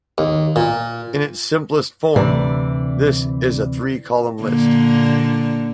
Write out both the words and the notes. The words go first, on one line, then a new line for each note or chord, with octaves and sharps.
In its simplest form, this is a three-column list.
D#2
A#2
D2 C3 E3 D5
A#2 D3 A#3